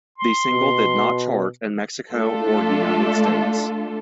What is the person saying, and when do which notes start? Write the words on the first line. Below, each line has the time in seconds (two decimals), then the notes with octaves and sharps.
The single did not chart in Mexico or United States.
0.18 C6
0.52 B2
2.11 A3 D4 F4 A4